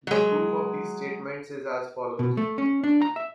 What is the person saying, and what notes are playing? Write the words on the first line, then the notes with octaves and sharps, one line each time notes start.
The proof of these statements is as follows.
F#3 G#3
B2
A3
C#4
D4
A#5
E5